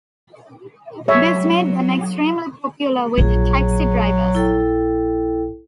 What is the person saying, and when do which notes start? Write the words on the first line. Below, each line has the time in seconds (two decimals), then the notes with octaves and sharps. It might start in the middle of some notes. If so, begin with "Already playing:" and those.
This made them extremely popular with taxi drivers.
1.08 F#3 C#5 E5
3.18 A#1 F#3 F4 G#4
4.35 E4 A4 G5